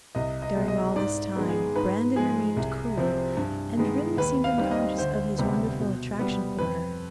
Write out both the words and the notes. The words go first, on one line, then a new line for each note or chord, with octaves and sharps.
During all this time Brandon remained cool and really seemed unconscious of his wonderful attraction for her.
C2 D#5
D#5
B2 G#3
D#5
G#2 D5
D#3 G#3 B3
G#4
G#2 B4
F3 G#3 G#4
C2
C3 F3 C4
G2
D#3 G#3 B3
D#2 B4
F5
D#3 G3 C4
D#5
D2 C5
C3 G3 B3
B2
G3 B3
F2 B4